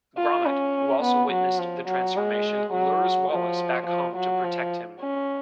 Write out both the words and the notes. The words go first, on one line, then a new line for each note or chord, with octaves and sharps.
Gromit, who also witnessed the transformation, lures Wallace back home to protect him.
F4
C#4
B3
F#3
F3
F#3
G#3
F#3
F3
F3
F#3
F3
C#4